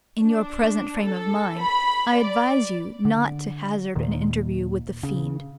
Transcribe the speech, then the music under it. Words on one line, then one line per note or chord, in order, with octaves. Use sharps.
In your present frame of mind I advise you not to hazard an interview with the fiend.
D4
A4
B5
D5
D3
D#2 A#2 D#3
C#3